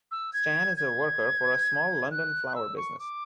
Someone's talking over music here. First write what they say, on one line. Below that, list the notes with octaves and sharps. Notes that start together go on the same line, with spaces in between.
Stan is a worker for a small London flower business.
E6
G#6
G#6
F#6
E6
C#6
D6